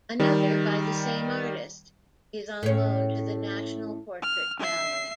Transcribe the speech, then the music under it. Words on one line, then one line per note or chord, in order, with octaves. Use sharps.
Another, by the same artist, is on loan to the National Portrait Gallery.
D#3 G3
A2 C#4
F6
E5 C7